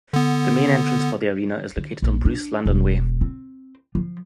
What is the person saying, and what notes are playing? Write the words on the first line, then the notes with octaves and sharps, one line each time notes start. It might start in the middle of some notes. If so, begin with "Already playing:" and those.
The main entrance for the arena is located on Bruce Landon Way.
D3 B3
D3
A#1
D4
E1
C4
F3